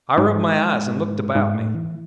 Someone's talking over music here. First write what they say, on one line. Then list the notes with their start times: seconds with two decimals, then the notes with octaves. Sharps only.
I rubbed my eyes and looked about me.
0.17 G#2
1.35 G#2
1.55 A2
1.75 E3